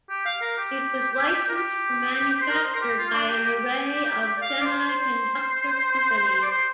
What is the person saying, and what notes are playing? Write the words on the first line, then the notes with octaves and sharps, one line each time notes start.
It was licensed for manufacture by an array of semiconductor companies.
G4
F5
A#4
G4
A#4
G4
C5
A#4
C5
A#4
G4
F4
F4
D4
G4
G4
D5
F5
D5
C5
C5
D5
C5